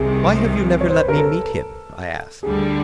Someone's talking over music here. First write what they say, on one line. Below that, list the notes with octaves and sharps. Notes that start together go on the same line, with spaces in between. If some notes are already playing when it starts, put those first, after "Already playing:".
"Why have you never let me meet him?" I asked.
Already playing: C2 C3 D#3 G#4
C#5
C5
B4
A#4
A4
D2 D3 G3 G#4